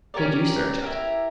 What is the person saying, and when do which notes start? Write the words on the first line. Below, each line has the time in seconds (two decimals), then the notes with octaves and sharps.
"Did you search it?"
0.14 C#4 G4 A#4 D5
0.82 E4 G4 A#4